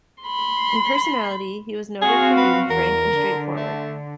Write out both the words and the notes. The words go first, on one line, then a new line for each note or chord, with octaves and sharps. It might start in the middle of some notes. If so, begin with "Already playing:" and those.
In personality he was noted for being frank and straightforward.
B5 C6
C4 F#4 G#4 F5
B4
E2 A#4
D3
A3